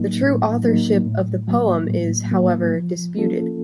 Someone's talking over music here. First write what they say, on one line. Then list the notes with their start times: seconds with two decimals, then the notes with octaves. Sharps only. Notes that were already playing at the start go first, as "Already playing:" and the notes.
The true authorship of the poem is, however, disputed.
Already playing: A2 F#3 A#3 D#4
0.22 A2
0.63 F#3 A#3 D#4
1.06 A2
1.48 F#3 A#3
1.90 A2
2.32 F#3 A#3
2.74 F3
3.16 A#3 C#4 F4 A4